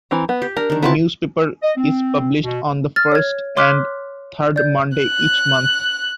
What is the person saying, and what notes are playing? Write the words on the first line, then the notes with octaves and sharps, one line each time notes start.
The newspaper is published on the first and third Monday each month.
E3 C4 A#5
B3
G4
D4 A#4
D#3 D4
B3 C4 E4 F4 A5
D#5
C4
B2
F6 A6
C#5 G#6
C#5 C6 D6 F6 F#6 B6
D5 G6
F#6